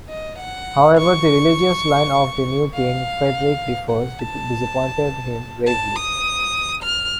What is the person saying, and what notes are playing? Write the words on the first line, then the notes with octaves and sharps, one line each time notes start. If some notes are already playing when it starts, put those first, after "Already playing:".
However the religious line of the new king, Frederick the First, disappointed him gravely.
D#5
F#5
C#6
F5
F#5
A5
A5
D#6
F6